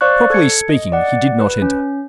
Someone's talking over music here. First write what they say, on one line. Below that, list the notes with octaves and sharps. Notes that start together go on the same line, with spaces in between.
Properly speaking, he did not enter.
C5 D5 F5 C#6 F#6
A4 G#6 C#7
D#5
D5 F#5
B4
C#4